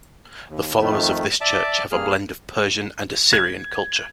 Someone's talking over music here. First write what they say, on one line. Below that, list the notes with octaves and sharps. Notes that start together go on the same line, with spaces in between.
The followers of this church have a blend of Persian and Assyrian culture.
D#2
F2 D#3 A3
D5 E5 A5 D6
G2 A#3 G#4 F6
G#6